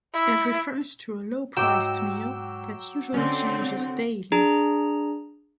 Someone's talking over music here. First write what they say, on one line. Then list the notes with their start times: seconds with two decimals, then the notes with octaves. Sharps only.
It refers to a low-priced meal that usually changes daily.
0.14 E4
1.57 B1 G#2 F#3 G5 D6 E6
3.14 D3 C4 C#4
4.32 D4 G#4 A#5